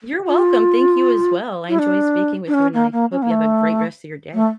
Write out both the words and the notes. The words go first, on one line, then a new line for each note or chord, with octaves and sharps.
You're welcome, thank you as well, I enjoyed speaking with you, and I hope you have a great rest of your day.
F4
E4
D4
D4
C#4
A#3
A#3
C#4
A#3
A3
A3